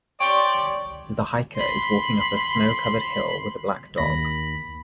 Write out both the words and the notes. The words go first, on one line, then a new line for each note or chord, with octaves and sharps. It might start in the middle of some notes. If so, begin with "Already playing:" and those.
The hiker is walking up a snow covered hill with a black dog.
G4 C#5 D5 G5 C6
B5 C6
D#2 B5 A#6